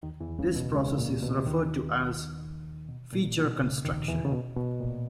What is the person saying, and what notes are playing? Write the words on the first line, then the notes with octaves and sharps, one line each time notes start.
This process is referred to as feature construction.
D#2 D#3
E2 E3
C#2 C#3
B2
C#2 C#3
A#2
B2
D#2 D#3
B2
A#2
B2
C#2 C#3
D#2 D#3
E2 E3
C#3
B2
B2
A#2